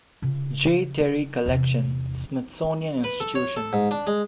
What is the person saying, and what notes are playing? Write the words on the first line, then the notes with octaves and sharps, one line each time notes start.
J. Terry Collection, Smithsonian Institution.
C#3 F4
E2 C3
B4
A4
C#5
A4
G#2
D4
G#3